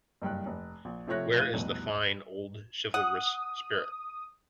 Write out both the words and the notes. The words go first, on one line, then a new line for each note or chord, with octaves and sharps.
Where is the fine, old, chivalrous spirit?
F#1 G2 G5 F#6
F1
A#1
C3 F3 A3 C#5 F#6 A#6
A2 F5 F#6 D#7
F1 C2 B2
F#5 D#6